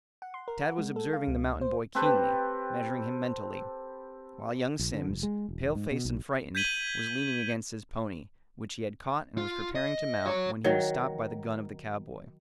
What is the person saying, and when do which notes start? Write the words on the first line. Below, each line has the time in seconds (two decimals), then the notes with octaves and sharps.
Tad was observing the mountain boy keenly, measuring him mentally, while young Simms, pale-faced and frightened, was leaning against his pony, which he had caught and was preparing to mount when he was stopped by the gun of the cowboy.
0.22 F#5
0.34 C6
0.48 A#4
0.64 F#5
0.78 G#3
0.96 A4
1.13 F5
1.27 C#2
1.61 C5
1.95 C4 G4 A4 B4
4.79 A#1
4.93 D3
5.08 F1
5.23 G#3
5.48 E1
5.75 G#2
5.91 B2
6.05 B1
6.55 G6 G#6 B6 D#7 F#7 G7
9.38 F4
9.75 D#5
10.26 F#4 C#5
10.64 D#3 F#3